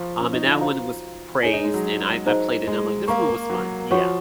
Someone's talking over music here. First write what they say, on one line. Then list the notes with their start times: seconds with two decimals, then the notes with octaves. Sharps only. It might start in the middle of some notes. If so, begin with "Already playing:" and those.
um, and that one was praised, and I I played it and I'm like, "This one was fun." Yeah,
Already playing: F3 C5 F5 A#5 C#6
0.20 C#4
0.33 D#4
0.46 F4
0.61 F#4 C5 F5 A#5
1.43 D#4 G#4 C#5 G#5
1.53 D#4
1.64 G#3
1.74 F#3
2.26 D#4 G#4 C5 D#5 A#5
2.67 G#3
3.08 A#3 A#4 F5 A#5 C#6
3.29 A#3
3.50 F#3
3.91 F3 F#4 C#5 F#5 C#6